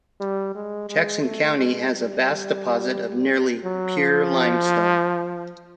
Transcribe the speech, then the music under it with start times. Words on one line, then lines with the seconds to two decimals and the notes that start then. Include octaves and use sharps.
Jackson County has a vast deposit of nearly pure limestone.
0.20 G3
0.55 G#3
0.89 G#3
1.22 A3
1.57 G#3
1.92 G3
3.64 F#3
3.97 F3